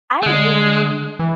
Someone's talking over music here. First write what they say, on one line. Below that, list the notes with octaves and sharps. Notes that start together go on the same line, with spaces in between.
I really
A3
D3 G#3
E3